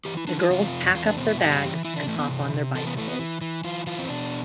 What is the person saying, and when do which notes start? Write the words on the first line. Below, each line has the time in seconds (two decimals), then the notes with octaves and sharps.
The girls pack up their bags and hop on their bicycles.
0.05 E3 G4
0.17 E4
0.28 E3 D4
0.39 F4
0.50 C3 F4
0.72 F2
0.95 E2 F4
1.06 D4
1.17 B2 C4
1.28 E4
1.40 G2 G4
1.62 E3
1.85 E3 E4
1.96 D4
2.07 E3 A3
2.19 B3
2.29 C3
2.52 C3
2.75 E3 A4
2.86 B3
2.97 E3 A3
3.09 B3
3.19 E3
3.41 E3
3.64 E3 F4
3.87 E3 F4
3.99 C4
4.09 B2 D4